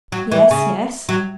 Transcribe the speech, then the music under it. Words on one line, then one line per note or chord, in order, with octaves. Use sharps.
"Yes, yes!"
F#3
E3
C#3
F#3